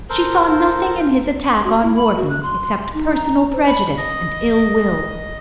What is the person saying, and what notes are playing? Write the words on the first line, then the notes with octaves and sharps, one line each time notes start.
She saw nothing in his attack on Wharton, except personal prejudice and ill-will.
A4 A#4 C5
F#4
E4
B5
F#4
F#6
C6
D#4
A#5
C5
B5
D#5